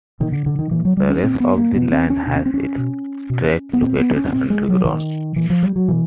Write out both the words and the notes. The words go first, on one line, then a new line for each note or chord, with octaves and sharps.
The rest of the line has its tracks located underground.
A#2 D#3
D3
D3
D#3
A#2 E3
F#3
G3
C#4
A#2 C4
B3
A#3
B2 B3
C4
C#4
B2 D4
C#4
C4
C#4
B2
B2
B3
A#2 C4
B3
C#4
C#4
A#2 C4
G#3
F#3
A#2 D#3
A#2 E3
F3
G3
F#3
B2 E3